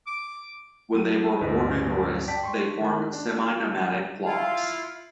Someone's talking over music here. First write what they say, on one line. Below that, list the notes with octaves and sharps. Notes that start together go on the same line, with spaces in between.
When they were more numerous they formed semi-nomadic flocks.
D6
F#3 D#7
A1 D2 G2 B4 D#5
D5 G5 A5 B6
C6 C#6
D#3
D4
E4 F4 F5